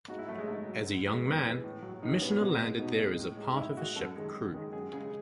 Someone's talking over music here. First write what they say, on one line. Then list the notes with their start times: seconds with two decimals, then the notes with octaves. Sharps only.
As a young man, Michener landed there as a part of a ship crew.
0.08 G#2 F#4
0.19 E4
0.28 F#3 A3
0.38 G#3
0.47 G#2 A3
0.67 F#3
0.86 F#2
1.06 E3 G#3
1.25 F#2 B3
1.45 E3 G#3
1.64 A2
1.82 F#3
2.02 A2 D#4
2.12 C#4
2.22 F#3 B3
2.31 C#4
2.41 B2
2.61 G#3
2.79 B2 D#4
3.00 G#3
3.19 A2
3.37 G#3
3.53 D#4
3.57 A2 E4
3.77 G#3 F#4
3.96 F#2 A4
4.16 D#3 G#3
4.35 F#2
4.54 D#3 G#3
4.73 F#2 G#4
4.93 C#3 G#3 G#4